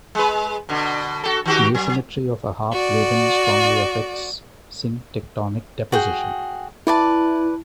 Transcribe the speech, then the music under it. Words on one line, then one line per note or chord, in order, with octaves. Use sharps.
The asymmetry of a half-graben strongly affects syntectonic deposition.
G#3 B4
B2 D3
F#4 G4 A4
D#3 F#4 G4
F#3
F#4 D5
F#4 G#4 G5
E4 B4 D5 A5